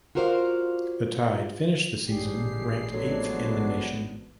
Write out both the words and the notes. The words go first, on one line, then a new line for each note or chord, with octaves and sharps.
The Tide finished the season ranked eighth in the nation.
F4 F#4 A#4 C5 D5 F5
A1 G#3 D4 G4 G#4 C7
D3 F3 F#3 G#3 B3 D4